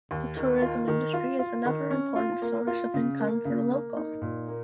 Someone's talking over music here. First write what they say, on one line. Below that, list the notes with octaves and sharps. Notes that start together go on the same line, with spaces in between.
The tourism industry is another important source of income for the local.
D#2
D#3
F4
D#3
F4
F4
D#3
C#4
F4
A#3
F4
C#3
A#3
C#3
A#3
D#4
A#2
A#3